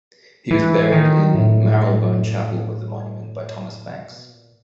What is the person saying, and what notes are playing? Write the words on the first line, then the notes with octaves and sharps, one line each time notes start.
He was buried in Marylebone Chapel with a monument by Thomas Banks.
E3
D#3
A2
A#2
B2
A#2